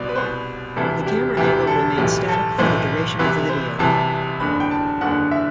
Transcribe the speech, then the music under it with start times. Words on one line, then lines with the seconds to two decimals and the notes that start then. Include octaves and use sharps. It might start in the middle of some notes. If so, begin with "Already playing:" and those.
The camera angle remains static for the duration of the video.
Already playing: C2 B2 D5
0.09 B4
0.16 C2 B2 C5
0.76 E1 D2 C3 E3 A4
1.06 G4
1.37 E1 D2 C3 E3 G4
1.67 A4
1.98 B1 A2 E3 G4
2.29 A4
2.58 B1 A2 E3 C5
3.19 C2 C3 E3 B4
3.49 C5
3.79 C2 C3 E3 A5
4.40 F#1 E2 D3 B5
4.60 G5
4.71 A5
5.01 F#1 E2 D3 F#5
5.31 E5